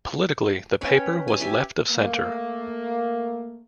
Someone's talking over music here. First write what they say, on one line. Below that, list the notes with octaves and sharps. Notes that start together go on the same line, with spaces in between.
Politically the paper was left of centre.
C#4 B4 C#5 G5
G#5
G4 E5 G#5
A3 A#3